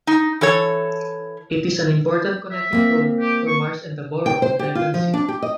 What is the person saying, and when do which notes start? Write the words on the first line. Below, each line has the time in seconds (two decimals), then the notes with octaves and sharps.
It is an important connecting road for Mars and the borough of Evans City.
0.07 D#4
0.41 E3 A4 C#5
2.52 E5
2.73 A#3 C4
3.20 G4
3.48 C#6
4.26 G5
4.42 C5
4.59 G4
4.75 F4
4.94 F3
5.14 D4
5.28 G4
5.42 D#5